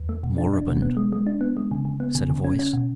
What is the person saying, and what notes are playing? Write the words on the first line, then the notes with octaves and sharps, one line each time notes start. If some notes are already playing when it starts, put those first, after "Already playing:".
"Moribund," said a voice.
Already playing: E2
A3
B2
D4
D4
B2
B3
G#3
G#3
D4
B3
G#3
C#3
C#3
B3
C#3
C#3
C#4
C#4
B2